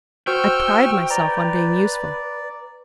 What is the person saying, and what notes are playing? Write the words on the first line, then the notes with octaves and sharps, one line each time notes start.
I pride myself on being useful.
F#4 C5 G5 C#6 E6 F6 G6
B4 D5 A#5